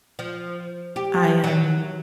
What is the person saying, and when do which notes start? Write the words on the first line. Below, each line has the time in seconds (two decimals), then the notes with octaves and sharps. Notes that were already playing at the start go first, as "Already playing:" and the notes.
I, um
0.19 F3
0.96 G4
1.44 F#3